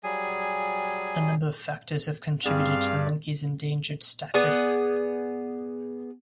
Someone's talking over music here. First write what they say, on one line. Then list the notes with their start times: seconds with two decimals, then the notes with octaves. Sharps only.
A number of factors have contributed to the monkey's endangered status.
0.03 F#3 G3 G#4 G#5
2.46 G2 G3 C4 G#4 D5 F5
4.34 B3 G#4 D5